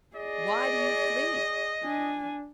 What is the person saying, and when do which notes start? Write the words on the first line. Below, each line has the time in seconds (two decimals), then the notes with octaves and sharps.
Why do you flee?
0.16 G#4 D5 D#5
1.83 D4 G#5